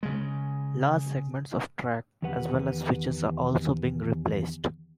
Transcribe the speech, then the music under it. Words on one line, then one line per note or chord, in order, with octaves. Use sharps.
Large segments of track, as well as switches, are also being replaced.
C#3 G#3
E2 D#3 G4 B4 F#5